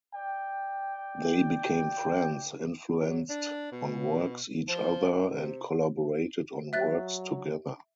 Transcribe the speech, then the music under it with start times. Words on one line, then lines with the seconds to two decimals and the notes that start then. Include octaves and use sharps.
They became friends, influenced on works each other, and collaborated on works together.
0.15 D5 G5
2.98 F#3
3.29 D4
3.72 B2
4.68 F3
5.32 C3
6.73 F#3 E5 F#6 A6